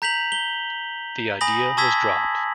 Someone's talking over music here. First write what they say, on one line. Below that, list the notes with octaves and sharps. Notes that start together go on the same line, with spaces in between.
The idea was dropped.
A#5 G6 B6 F7 F#7
G7
G#5 B5 D#6 A#6 F#7
A5 C#6 D#6 E6 G#6 B6